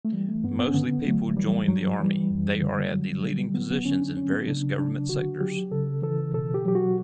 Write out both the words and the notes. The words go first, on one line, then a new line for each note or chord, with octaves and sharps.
Mostly people joined the army.they are at the leading positions in various Government Sectors.
A3
E3 G3
A3
G2 B3
B3
C#4
D3 B3
F#3 A3
E3 G3
G2 F#3
E3 G3
F#2
D3
F#3
D3 G3
G3
F#3 B3
B3
D3 C#4
D4
F#3 C#4
B3
C#3 D4
F#3 D4
D3 F#4
F#3 G4
C#3 A4
E3 A4
B2 A4
G4
F#3 G4
F#4